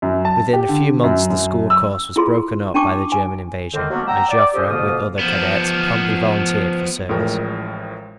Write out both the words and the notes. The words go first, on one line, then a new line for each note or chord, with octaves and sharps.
Within a few months the school course was broken up by the German invasion, and Joffre with other cadets promptly volunteered for service.
F#2
A5
G4
D3
F#2
F#2
E6
E4 F4 G#4 C6
C#4 D4 G5 A5 C#6 D6
G#5
A2 D3 D#3 G#3 A#3 C4
F#3 G#3 A#3 B3 C#4 D4
F#5 G5 A#5 E6
D5 D6
F3 C#4 G4 A4 C5 D#5
F2 B2 D3 A#3 F4 D#6
F3 B3
A1 A2 F3 G#3 A#4 G5